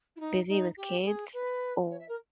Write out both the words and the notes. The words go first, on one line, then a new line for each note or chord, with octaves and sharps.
busy with kids or
E4
D#4
D#4
G4
G#4
B4
C#5
E5
A#4